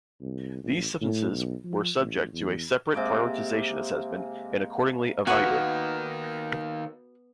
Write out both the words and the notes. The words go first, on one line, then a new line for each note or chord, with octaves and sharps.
These substances were subject to a separate prioritization assessment and accordingly evaluated.
C2
A1
A2
B1
F3
A1
E2
C3 G#3 A#3 D6
D#3 A#3 B3 F#4 F#5 G#5